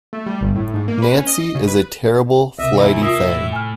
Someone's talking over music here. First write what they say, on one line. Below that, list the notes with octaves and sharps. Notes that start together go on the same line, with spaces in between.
Nancy is a terrible flighty thing.
A3
G3
G1
A2
G#2
A#3
B4
C#4
D#5
D#5
C#3
B4
D2 C3 D#5 E5
E2 E4
A#3 F4 E5 D#6
A2
G#5 F6